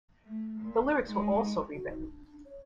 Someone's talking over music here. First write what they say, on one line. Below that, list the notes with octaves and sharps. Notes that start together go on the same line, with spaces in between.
The lyrics were also re-written.
A3
A#2
G#3 D#4
F#4
D#4
D4
D4
C#5